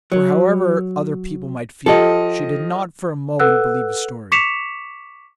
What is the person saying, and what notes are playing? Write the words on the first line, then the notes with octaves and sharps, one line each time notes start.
For, however other people might feel, she did not for a moment believe his story.
F#3
F3 G4 A4 D#5
A4 B4 F#5 E6 F#6
C#6 D6 B6 C#7 E7 F7